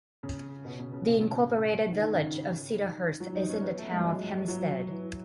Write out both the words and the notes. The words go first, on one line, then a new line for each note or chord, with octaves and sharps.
The Incorporated Village of Cedarhurst is in the town of Hempstead.
C#3
B2
C#3
C#3
B2
C#3
E3
D#3
D#3
C#3
D#3
F#3
D#4
C#4
B3
A3
G#3
F#3
G#3
F#3
E3